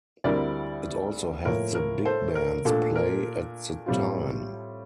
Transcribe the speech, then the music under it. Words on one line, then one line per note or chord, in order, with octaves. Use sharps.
It also had the big bands play at the time.
D2 D3 G3 C4 E4 A#4 D5
A2 F3 A#3 F4 A#4
A#4
A4 C5
A#4
A#2 A3 D4 A4
A#4
A2 G3 C4 F4